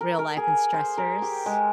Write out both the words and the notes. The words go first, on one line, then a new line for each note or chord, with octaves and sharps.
real life and stressors.
A#4
A#4
G#4
C5
A#4
G4
G#3